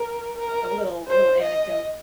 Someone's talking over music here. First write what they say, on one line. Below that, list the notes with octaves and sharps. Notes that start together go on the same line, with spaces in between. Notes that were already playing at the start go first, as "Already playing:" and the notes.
a little little anecdote;
Already playing: A#4
A#4
C5
D#5